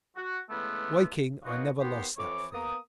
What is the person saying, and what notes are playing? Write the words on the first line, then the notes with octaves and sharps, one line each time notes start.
Waking, I never lost that fear.
F#4
C#3 E3 G#3 A3 B3
A#3 B3 C#4 D#4 F4 F#4
D#2 B3 G4 C6
F2 E3 C#5 D6
A#3 B3 A#4 A#5 D#6